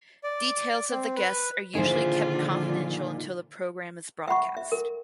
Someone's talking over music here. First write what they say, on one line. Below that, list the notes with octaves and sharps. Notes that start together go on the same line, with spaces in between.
Details of the guests are usually kept confidential until the programme is broadcast.
D5
C4
B4
A#2 D3 D#3 F3 E4 F4 G#4 C5
E5 F#5 B5 C#6
E5
A#4